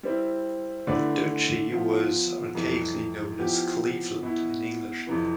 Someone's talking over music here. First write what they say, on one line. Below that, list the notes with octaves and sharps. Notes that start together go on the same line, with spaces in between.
The Duchy was archaically known as "Cleveland" in English.
G3 C4 E4
D3 A3 E4 B4 D5
F3 B3 F4
F2 C3 E3 G3
F3 B3 E4 G4
B2 B3 E4
F2 C3 E3